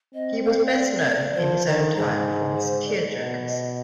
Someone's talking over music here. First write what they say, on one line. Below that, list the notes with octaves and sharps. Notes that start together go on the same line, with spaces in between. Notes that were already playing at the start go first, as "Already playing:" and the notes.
He was best known in his own time for his "tear-jerkers".
C4 D#5
F5
C5
D5
D5
F3 C5
D#3
G#2 G#4
C5
D5
B2 D#5
D#5